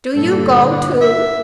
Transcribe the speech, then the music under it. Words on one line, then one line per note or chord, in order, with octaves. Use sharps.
Do you go too.
G2 A#2 D3 A4
D4
E5